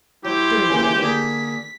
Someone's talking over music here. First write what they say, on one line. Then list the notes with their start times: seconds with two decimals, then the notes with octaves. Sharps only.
"During the day?"
0.25 F#3 E4 G4 C5
0.70 C#3 E3 A#3
1.02 D3 A#3 G#4 B6